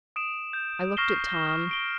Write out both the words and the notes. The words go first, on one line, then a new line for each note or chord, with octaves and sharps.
I looked at Tom.
D#6 D7 E7
G6
C#6 F6 A#6 C7 E7 G7
F6
D7 G7